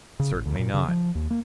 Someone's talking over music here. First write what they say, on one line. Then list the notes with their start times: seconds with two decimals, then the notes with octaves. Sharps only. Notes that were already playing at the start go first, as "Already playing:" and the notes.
Certainly not.
0.19 C#3
0.33 A1
0.46 D2
0.59 A#2
0.74 C#3
0.88 F3
1.15 D#2
1.30 A#3